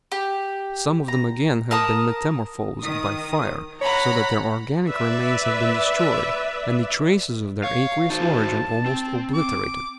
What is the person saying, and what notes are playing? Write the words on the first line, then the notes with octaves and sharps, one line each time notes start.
Some of them again have been metamorphosed by fire, so that their organic remains have been destroyed, and the traces of their aqueous origin almost obliterated.
G4
A#5
A#4 A5 D#6
D#3 D#6
C#5 F#5 A#5 B5
B4 D5 E5
C#5 F5
D#4 F#4 C5 A5
C4
D6